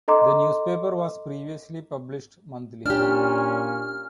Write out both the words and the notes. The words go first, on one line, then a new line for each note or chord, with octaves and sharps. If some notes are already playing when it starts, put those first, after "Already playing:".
The newspaper was previously published monthly.
A4 D#5 A#5 C6 D6
A#2 C#4 D4 G4 F6